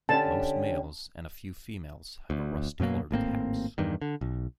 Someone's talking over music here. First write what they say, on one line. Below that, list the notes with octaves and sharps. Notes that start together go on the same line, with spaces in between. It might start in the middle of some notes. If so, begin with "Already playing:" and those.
Most males and a few females have a rust-colored caps.
D3 C#4 G4 A5
D2
F#2 B2 F#3 A#3
G#1 A2 A#3 C4
E2 G2 D#3
D3
B1